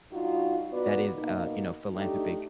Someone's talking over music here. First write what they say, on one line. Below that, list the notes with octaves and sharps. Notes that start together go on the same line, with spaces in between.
that is, uh, you know, philanthropic,
G2 D#4 F4 F#4
B3 D#4 F#4 B4 D5
B2 A#3 D#4
A3 D4 D#4 G4